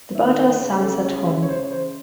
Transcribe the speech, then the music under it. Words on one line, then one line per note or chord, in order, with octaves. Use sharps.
The batter stands at Home.
D#3 E5
D#5
C#3 C#5
A4
C#5
E5
C#5
C#3 C5
C5